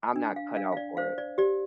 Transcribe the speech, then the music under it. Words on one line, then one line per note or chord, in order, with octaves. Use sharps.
I'm not cut out for it.
D4
F5
D4 F5
F5
D5
C5 F5
D5
G4 D5